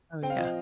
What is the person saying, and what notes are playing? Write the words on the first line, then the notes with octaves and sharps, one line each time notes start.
Oh, yeah.
C4 G5
F5
F3 D#5
F5